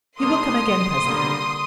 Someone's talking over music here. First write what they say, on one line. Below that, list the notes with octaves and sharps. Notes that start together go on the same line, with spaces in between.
He will come again presently.
C3 G3 A#3 D4 C6 D#6
D3 G3 A#3